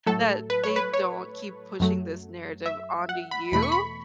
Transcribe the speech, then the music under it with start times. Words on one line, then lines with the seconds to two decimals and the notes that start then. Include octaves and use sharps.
that they don't keep pushing this narrative onto you
0.07 A2 F#3 A3 A4
0.50 B4
0.64 C#5
0.76 B4
0.94 C#5
1.80 F#2 F#3 A3
2.66 E5
3.09 F#5
3.31 B5
3.52 E2 B2 A3 B5
3.63 C#6
3.72 B5